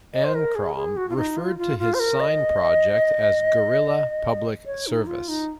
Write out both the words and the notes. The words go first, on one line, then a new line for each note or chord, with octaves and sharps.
Ankrom referred to his sign project as "Guerilla Public Service".
D#5
C5
A#4
G#4
G#4
F#4
F4
D#4
F4
F4
F4
C5
A#4
D#5
C#5
D#4
F4
D#4